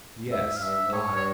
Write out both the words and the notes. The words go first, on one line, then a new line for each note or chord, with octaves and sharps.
"Yes, I."
G2
G#2 E5
A#2
G#2
G2 F5
E5
G#2
C#5
G2
C#5